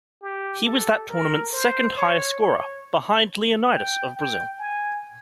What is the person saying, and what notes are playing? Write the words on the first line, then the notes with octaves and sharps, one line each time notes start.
He was that tournament's second-highest scorer, behind Leonidas of Brazil.
G4
A4
A#4
C5
C#5
C#5
G5
G5
G#5